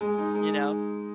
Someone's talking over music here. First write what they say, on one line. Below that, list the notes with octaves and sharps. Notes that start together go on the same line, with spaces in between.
you know?
G#3
D#4
G#3